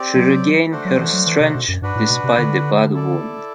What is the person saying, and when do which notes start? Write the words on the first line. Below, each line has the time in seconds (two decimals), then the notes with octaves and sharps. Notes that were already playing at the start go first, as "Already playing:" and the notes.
She regained her strength despite the bad wound.
Already playing: C4 G4 D5 G5
0.16 F#3
0.72 A3 D4 F#4 C5
0.85 F#3
0.99 E3
1.13 F#3
1.27 E3
1.40 C3
1.55 B2
1.68 F#2
1.82 G2 D4 F#4 B4
1.96 A2
2.10 B2
2.24 C3
2.38 D3
2.93 E4 A4 D5